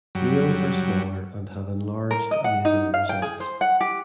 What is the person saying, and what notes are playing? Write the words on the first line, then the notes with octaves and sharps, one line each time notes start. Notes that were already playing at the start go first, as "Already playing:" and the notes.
Males are smaller and have enlarged nasal rosettes.
F#2 F#3 G3
A#4
D#5
F#5
D#4
F5
G5
G#4
C5
F#5
G4